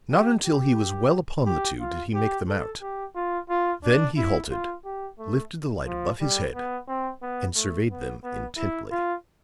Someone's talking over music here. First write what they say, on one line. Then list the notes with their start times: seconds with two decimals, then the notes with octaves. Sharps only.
Not until he was well upon the two did he make them out; then he halted, lifted the light above his head and surveyed them intently.
0.11 G4
0.45 G4
1.46 G4
1.80 F4
2.14 G4
2.48 A4
2.81 G4
3.15 F4
3.49 F4
3.84 D4
4.17 E4
4.51 F4
4.85 G4
5.19 A3
5.86 F3
6.21 G3
6.55 B3
6.88 C4
7.22 B3
7.56 A3
7.90 B3
8.23 B3
8.57 E4
8.91 F4